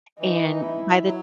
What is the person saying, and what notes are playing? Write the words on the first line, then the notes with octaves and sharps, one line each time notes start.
and by the
E3 D#4
E4
F#3